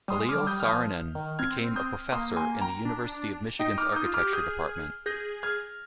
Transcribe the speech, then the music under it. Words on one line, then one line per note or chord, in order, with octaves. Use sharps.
Eliel Saarinen became a professor in the University of Michigan's Architecture Department.
G3 C6 D#6
G#3
D6 F6
F3
G3
D#6 G6
F6
F3 D#6 G6
D#3
C4 F6 G#6
D#6 G6
A#3 C6 D#6
G#5 C6
G5 A#5
D4
D#4 D#5 G5
D6 F6
D#4 D#6 G6
F4
G4 D6 F6
G#4 D#6 G6
G#4 G6 A#6
F6 G#6